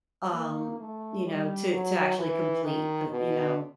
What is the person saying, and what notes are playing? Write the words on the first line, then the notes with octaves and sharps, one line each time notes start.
um, you know, to to actually complete the you know
A#3
A3
G3
F#3
E3
D#3
B2